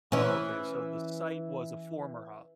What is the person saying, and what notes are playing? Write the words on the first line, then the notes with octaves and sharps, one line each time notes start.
Oh, okay, so the site was a former ho
E3 C#4